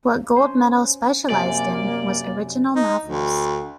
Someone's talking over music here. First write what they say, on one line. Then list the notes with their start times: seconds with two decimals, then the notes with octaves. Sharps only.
What Gold Medal specialized in was original novels.
0.36 C#4 C5
1.30 F#2 C3 A#3 D5 G#5
2.76 D#4
3.05 D2